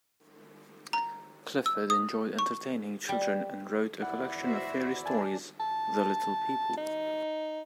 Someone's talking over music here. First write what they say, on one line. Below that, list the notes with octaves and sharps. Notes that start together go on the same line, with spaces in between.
Clifford enjoyed entertaining children and wrote a collection of fairy stories, "The Little People".
A#5
E6
D#6
C#6
G3
E2 E4 D5 F#5
F#4 C5 E5
D4 G#5 A5
A5
D#4